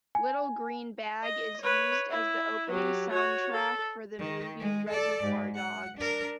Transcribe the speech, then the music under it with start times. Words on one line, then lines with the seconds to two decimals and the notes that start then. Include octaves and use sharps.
Little Green Bag is used as the opening soundtrack for the movie Reservoir Dogs.
0.15 G#5
1.24 D#5
1.62 B4 C#5
2.11 E4
2.70 F#3 G4
3.11 F#4 C#5
3.52 A4
4.18 D#3
4.60 G#3
4.89 A4 D5
5.23 G#2
5.55 F#5
5.97 D4 A#4